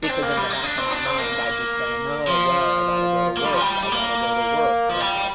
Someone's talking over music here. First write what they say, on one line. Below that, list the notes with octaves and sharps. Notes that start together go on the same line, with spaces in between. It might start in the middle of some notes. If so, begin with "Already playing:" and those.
because in the back of my mind, I'd be saying, "Oh, well, I gotta go to work, I gotta go to work," you know.
D4
C4
A#3
G3
A#3
D4
C4
D4
C4
A#3
F3
A#3
G3
F3
G3
G3
A#3
F3
G3